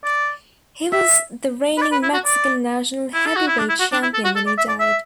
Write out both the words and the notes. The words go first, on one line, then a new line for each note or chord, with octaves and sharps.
He was the reigning Mexican National Heavyweight Champion when he died.
D5
E5
B4
D5
B4
E4
F#4
D5
E4
A4
F#4
E4
D4
E4
F#4
D4
E4
A4
F#4
A4
D5
E5
D5
E5